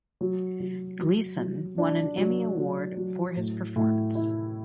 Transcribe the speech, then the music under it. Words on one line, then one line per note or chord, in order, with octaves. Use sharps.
Gleeson won an Emmy Award for his performance.
F#3
F#3
F#3
F#3
D4
F#3
F#3
F#3
A2
A2
E4